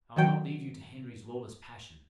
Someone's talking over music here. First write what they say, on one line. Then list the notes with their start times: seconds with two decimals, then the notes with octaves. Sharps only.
"I will not leave you to Henry's lawless passion."
0.16 D#3 F#3 G5